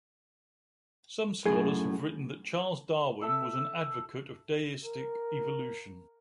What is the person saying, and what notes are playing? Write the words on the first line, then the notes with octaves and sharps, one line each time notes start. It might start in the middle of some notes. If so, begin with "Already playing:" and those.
Some scholars have written that Charles Darwin was an advocate of deistic evolution.
F#2 A2 G#4
A4 E5 E6
A#4